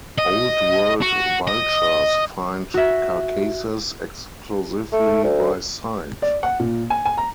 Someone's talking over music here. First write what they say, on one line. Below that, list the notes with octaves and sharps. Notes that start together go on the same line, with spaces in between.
Old World vultures find carcasses exclusively by sight.
D#5
F#4
D#5
F#4 E5
A3
D2
D5
F#5
A#2
G#5
G#5
A#5